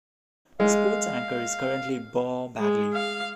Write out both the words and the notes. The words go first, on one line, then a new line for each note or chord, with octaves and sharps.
Sports anchor is currently Beau Bagley.
G#3 F5
G#3
F5